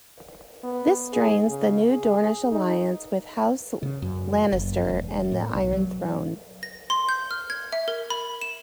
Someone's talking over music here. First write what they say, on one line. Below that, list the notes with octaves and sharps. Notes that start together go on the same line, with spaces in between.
This strains the new Dornish alliance with House Lannister and the Iron Throne.
B3
G#4
C#3
G#4
D#4
C#3
F#2
F#1
E1
A2
B1
F#3
A#6
C6
G6
F6
G#6
E5
A#4
B5
E7